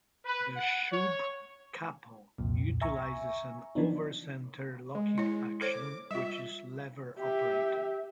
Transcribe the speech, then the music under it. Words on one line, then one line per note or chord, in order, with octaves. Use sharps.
The Shubb Capo utilises an "over-centre" locking action, which is lever operated.
B4
F#5
C#5
C2 F2 A#2
E5 G#5 A#5 C#6
E3 F3 B3 D4 D#4
G#3
E4 C#5
A4 C5 C#5 D6
G3 F4 E5
G4 E5